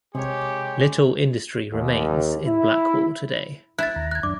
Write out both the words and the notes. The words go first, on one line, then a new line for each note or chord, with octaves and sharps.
Little industry remains in Blackwall today.
C3 G#3 G4 A#4 C#5
D#2
E4
E4 F#6 G#6 A6
D#2 A#5
F#6 G#6
F#2 D4 D6